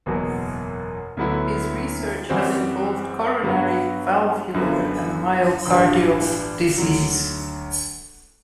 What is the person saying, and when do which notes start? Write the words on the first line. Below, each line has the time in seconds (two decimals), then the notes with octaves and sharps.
His research has involved coronary, valvular and myocardial disease.
0.06 F#1 E2 B2 F#3
1.17 D2 D3 F#3 B3 E4
2.29 F#2 E3 G3 C4 F#4
3.42 G2 F#3 B3 F#4
4.54 F#2 D3 F#3 B3
5.66 A1 G2 E3 G3 D4
6.78 D2 D3 F#3